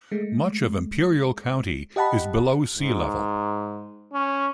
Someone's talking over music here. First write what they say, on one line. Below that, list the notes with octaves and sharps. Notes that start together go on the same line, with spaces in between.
Much of Imperial County is below sea level.
G#3 A3
G4 D#5 F#5 A5 B5
G#2
C#4